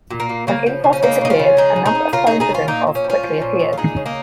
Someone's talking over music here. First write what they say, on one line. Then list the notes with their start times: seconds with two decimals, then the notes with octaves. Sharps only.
When Improv disappeared a number of clones of Improv quickly appeared.
0.11 A#2
0.20 A#3
0.29 A#2
0.47 C#3 A#3
0.66 F3
0.84 C#3
0.93 C#4
1.03 G#3 A#3 D#4
1.21 C#3 D#4
1.30 C#4 F4
1.39 C#3
1.57 G#3 D#4 G#4
1.76 C#3
1.86 D#4 G#4
1.95 C#3
2.12 C#3 F4 A#4
2.27 C#3 D#4 G#4
2.40 D#4 G#4
2.49 C#3
2.54 C#4 F4
2.68 A#2 A#3 D#4
2.87 A#2
2.95 C#4
3.04 F3
3.10 C#4 F4
3.23 F3
3.42 A#2
3.60 A#2
3.73 F4
3.78 G#3 D#4 G#4
3.96 C#3
4.06 A#3 D#4